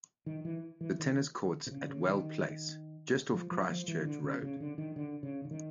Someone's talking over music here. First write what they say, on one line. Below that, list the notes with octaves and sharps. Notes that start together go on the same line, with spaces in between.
The Tennis Courts at Well Place, just off Christ Church Road.
D#3
E3
E3
D#3
C3
C#3
C#3
D#3
F3
F3
F3
E3
D3
C#3
C#3
D3
D#3
D3
C#3
D3
D#3